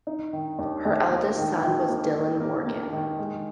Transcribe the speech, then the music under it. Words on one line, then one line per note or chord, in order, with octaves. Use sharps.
Her eldest son was Dylan Morgan.
D#4
D#3
D#2
D#2
A#3
D#3
D#3
A#3
D#3
A#3
A#3
D#3
G#3